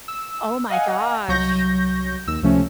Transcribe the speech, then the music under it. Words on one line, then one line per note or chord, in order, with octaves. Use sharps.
Oh my gosh.
E6
D#5 F5 F#5 G#5
C2 F#3 C#6 G6 A#6
D#2 E6
C#2 C3 F3 A3 C#4